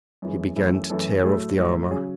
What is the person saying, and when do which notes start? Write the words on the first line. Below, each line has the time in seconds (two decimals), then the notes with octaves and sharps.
He began to tear off the armor.
0.22 F#2 E3 G#3
0.56 F#2 E3 A3 B4
0.90 F#2 E3 A3 A4
1.24 A2 F#3 A3 G#4
1.57 A2 F#3 A3 F#4
1.91 C#3 F#3 G#4